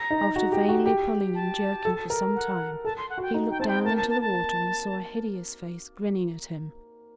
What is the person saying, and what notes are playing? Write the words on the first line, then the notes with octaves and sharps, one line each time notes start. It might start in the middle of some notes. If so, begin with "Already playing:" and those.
After vainly pulling and jerking for some time, he looked down into the water and saw a hideous face grinning at him.
Already playing: A#5
D#4
F#4
G4
F#4
G4
A5
A4
A#4
F#5
A4 A5
C6
F#5
F#4
G5
D#4
G5
C4 A5
G5
A#3 A5
A5
A5
A5